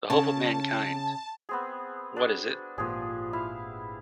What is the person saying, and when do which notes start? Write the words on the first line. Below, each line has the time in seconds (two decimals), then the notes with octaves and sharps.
The hope of mankind — what is it?
0.10 C#3 A5
1.49 B3 C4 G#4
2.16 D4 F#4 G#4
2.78 G#1 A#2 F3 G4 G#4
3.33 E4 F5